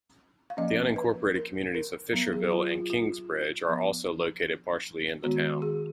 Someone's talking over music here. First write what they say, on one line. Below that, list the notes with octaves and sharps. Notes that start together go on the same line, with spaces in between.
The unincorporated communities of Fisherville and Kingsbridge are also located partially in the town.
F5
F3 A#3 C#4 D#5
B4
A#4
A#4
F#3 B3
G#4
F4
F4
F4
F3 B3
D#3 G#3 B3 F#4
G#4